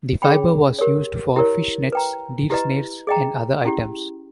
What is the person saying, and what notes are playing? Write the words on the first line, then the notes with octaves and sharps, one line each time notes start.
The fiber was used for fish nets, deer snares and other items.
C#4 G#4 C#5 G5 B5
G4 A#4 C#5
E4 G4 A#4 C#5
B4 G5 A#5
E4 G4 B4 D#5 A#5
G#4 D#5 G5 A#5
C#4 E4 G4